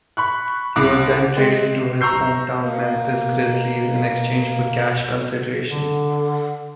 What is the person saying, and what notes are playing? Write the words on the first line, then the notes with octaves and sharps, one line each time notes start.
He was then traded to his hometown Memphis Grizzlies in exchange for cash considerations.
B5 C#6 F#6
C2 D6 F#6
G#3 C4
A#5 C#6 E6 G6 C7
A#3
B2
D3